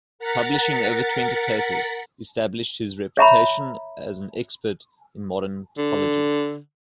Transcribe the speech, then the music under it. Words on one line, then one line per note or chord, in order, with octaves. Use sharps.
Publishing over twenty papers established his reputation as an "expert in modern topology".
A#4 F#5 A#5 A6 B6 C#7
C#5 E5 A#5 B5
D3